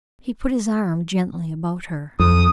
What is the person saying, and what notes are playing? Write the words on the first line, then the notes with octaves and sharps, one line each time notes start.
He put his arm gently about her.
F2 D#6